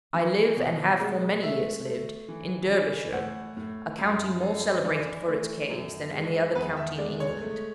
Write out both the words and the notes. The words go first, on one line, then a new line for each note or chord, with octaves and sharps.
I live, and have for many years lived, in Derbyshire, a county more celebrated for its caves than any other county in England.
E3
B2
G#3
A3 E5
A3
E3
E3
A2 F#5
A2
F#2
F#2
E3 D5
A3
F#2
G#3
E2 B4
E5
G#3 D5
C#5
A3